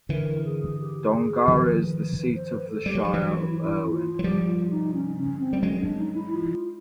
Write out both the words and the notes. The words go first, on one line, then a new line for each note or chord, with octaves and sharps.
Dongara is the seat of the Shire of Irwin.
D3 E3 A#4
G#4
G4
G#4
D#3 F3 A#4
B4
B4
C5
B4
A4
G3 G4
F#3
F3 G4
E3 F#3
F#4
E4
E4
F4
F#3
F3 G3 G4
F4
D#4
C#4
C#4
C4
G3
F#3 G#3 C#4
D4
D#4
E4
F4